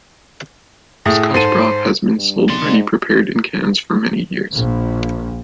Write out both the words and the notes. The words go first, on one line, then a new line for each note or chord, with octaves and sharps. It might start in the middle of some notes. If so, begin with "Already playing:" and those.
Scotch broth has been sold ready-prepared in cans for many years.
A2 A3 G#4
G#2 A4 C5 D#7
G2
B1 D5 C6
G#2
A#1